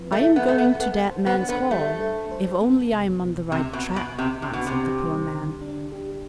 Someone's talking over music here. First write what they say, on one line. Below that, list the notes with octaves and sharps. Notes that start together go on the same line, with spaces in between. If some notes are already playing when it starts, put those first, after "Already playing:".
"I am going to Dead Man's Hall, if only I am on the right track," answered the poor man.
Already playing: F3 C4 E4 B4
A3
E4
B3
A3 B4
B3
B3 A4
C5
B3
D4
B3
G3 A3
A4
C5
B3
C2
B2
C2 C3
B2
B3
B2
C2
C3
C3 D4
B2
C3 G4
G3
D3
D4
G4